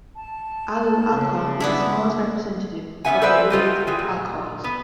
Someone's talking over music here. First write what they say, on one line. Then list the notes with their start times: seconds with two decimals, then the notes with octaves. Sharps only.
Allyl alcohol is the smallest representative of the allylic alcohols.
0.16 A5
1.13 C#3
1.60 B3 D4 E4
3.05 B3 C#4 G#4 E5 F#5 G#5
3.22 A4 B4 C5 D5 E5
3.50 F#3 F4 G4 D#5
3.87 E3 G#3
3.99 A#2
4.64 B3